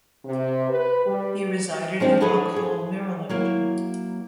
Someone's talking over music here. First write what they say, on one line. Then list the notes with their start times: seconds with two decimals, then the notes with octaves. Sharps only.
He resided in Rockville, Maryland.
0.25 C3
0.70 B4
1.06 G3
2.00 D#3 F3 G#3 C4 D4
2.20 D4 E4 G#4 A4 B4
2.56 G#4
3.29 F#3 A#3 E4